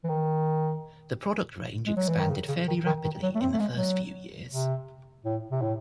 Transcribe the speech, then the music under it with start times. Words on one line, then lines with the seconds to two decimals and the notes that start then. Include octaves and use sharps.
The product range expanded fairly rapidly in the first few years.
0.04 E3
0.09 D#3
1.86 G#3
1.97 F#3
2.09 E3
2.19 D#3
2.30 C#3
2.48 C#3
2.68 D#3
2.86 D#3
3.04 D#3
3.23 F#3
3.35 A3
3.41 C4
3.53 A3
3.60 G#3
3.77 F#3
4.52 C3
5.25 A2
5.51 C3
5.62 A2